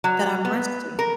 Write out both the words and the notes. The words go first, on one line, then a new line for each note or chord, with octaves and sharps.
that I'm resting.
F#3
B3
A#4